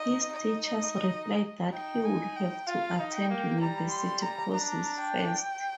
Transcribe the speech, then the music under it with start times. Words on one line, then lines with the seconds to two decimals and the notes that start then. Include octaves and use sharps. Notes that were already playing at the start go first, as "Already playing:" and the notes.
His teachers replied that he would have to attend university courses first.
Already playing: D#4 D#5
0.33 D#5
1.73 D#4 G5
2.05 G#5
2.36 G5
2.67 F4 F5
2.99 D#4
3.14 G5
3.29 A#3
3.60 G3 A#5
3.91 C6
4.22 A#5
4.54 D4 A#5
5.00 G5